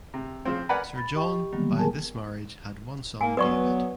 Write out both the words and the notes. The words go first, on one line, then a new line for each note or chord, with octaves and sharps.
Sir John by this marriage had one son David.
C3
C#3 F3 C4
A#4 B4 D5 F#5 G#5 B5
B5 A6
G4 D#5 G5 C#6
D3 D#3 F#3 G3 A#3 B3
G#4 A#4 G#5 A5
A#3 G#5
F#3 B3 B4 D5 C#6